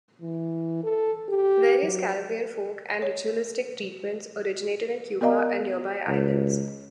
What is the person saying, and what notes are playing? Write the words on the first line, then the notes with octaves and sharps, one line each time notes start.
Various Caribbean folk and ritualistic treatments originated in Cuba and nearby islands.
E3
A4
G4
F#3
C#5
B3 A#4 D5 D#5 F5 A#5
C#2